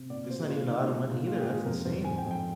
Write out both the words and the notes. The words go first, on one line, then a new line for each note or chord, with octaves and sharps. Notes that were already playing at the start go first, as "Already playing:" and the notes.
That's not even a lotta money either, that's insane.
Already playing: C3
A#2 D5
A#2 C5
G4
G#3 F4
G#3 D#4
D#4
G#3 F4
A#2 D#4
A#2 F4
G#4
G4
G#3
G#4
F2 A#4
F2 C5
F2 G#5
G5
F2
G5